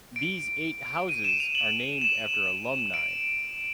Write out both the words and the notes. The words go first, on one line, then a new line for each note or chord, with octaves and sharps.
These eight houses are named after alumni.
D7
D#7
E7
F7
F#7
E7
D7